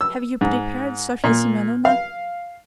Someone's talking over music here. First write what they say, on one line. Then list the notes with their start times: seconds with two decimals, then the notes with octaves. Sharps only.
"Have you prepared Sofya Semyonovna?"
0.01 E6
0.41 G#2
1.24 A#2
1.85 F5